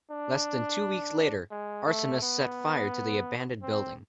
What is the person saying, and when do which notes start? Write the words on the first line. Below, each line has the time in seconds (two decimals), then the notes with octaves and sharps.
Less than two weeks later, arsonists set fire to the abandoned building.
0.11 D4
1.51 G#3
1.86 A3
2.22 B3
3.63 C4